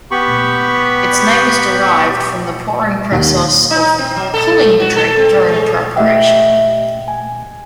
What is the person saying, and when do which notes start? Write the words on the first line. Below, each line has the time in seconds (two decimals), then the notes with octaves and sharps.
Its name is derived from the pouring process of "pulling" the drink during preparation.
0.11 B3 G4 B5 C#6
3.12 D#2
3.71 D#4
3.98 C4
4.16 F#3
4.34 A4
4.61 A3
4.80 F#4
4.96 A4
5.17 C4
5.48 G#3
5.96 A3 G4 D#5 E5 F#5 G5
7.08 G#5